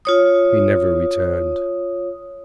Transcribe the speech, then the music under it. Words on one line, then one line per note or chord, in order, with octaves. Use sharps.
He never returned.
F4 C#5 D#6